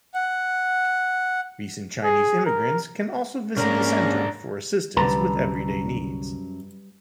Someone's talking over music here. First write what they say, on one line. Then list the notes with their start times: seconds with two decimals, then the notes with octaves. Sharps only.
Recent Chinese immigrants can also visit the Center for assistance with everyday needs.
0.14 F#5
2.04 G#4
2.46 A#4
3.57 C2 G#2 A#3 C#4 D4 A#4
4.97 C2 F#2 D3 G3 B4 A5 A#5